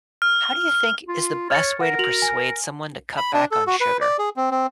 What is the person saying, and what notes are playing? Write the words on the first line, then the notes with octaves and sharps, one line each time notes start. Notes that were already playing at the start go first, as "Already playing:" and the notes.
How do you think is the best way to persuade someone to cut back on sugar?
F6
F4
C#5 F6 A6 C#7
A#4 F#5
F#4 F7 F#7
G#5
B5
D4
A4
F#4
B4
D5
G#4
C4
C4